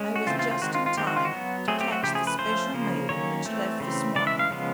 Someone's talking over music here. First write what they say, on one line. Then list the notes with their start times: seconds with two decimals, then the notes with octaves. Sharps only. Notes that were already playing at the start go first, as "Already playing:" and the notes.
I was just in time to catch the special mail which left this morning.
Already playing: G#3 C#4
0.16 F#4
0.27 C#3 E3 A3 C4 F4
0.39 F4
0.51 F4
0.62 D#3 G#3 C4 F#4
0.75 F4
0.86 F4
0.97 D#3 G#3 C4 G4
1.07 F#4
1.16 F4
1.25 F#4
1.33 F#3 B3
1.68 F#3 A3 C4 G#4
1.81 G4
1.92 F#4
2.03 C#3 F3 A3 G4
2.15 G#4
2.27 B4
2.39 F3 A3 C#4 C5
2.74 C#3 F3 A#3
3.09 D#3 F#3 A#3 C#4 C#5
3.45 E3 A3 C4
3.80 C#3 E3 A3 C4
4.15 C#3 E3 G#3 D5
4.27 E5
4.39 F5
4.51 C#3 F3 G#3 B3